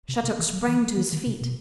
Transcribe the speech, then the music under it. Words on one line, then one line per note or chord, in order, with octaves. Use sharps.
Shattuck sprang to his feet.
C3
C3
E3
F#3
E3
E3
D#3
C3
B2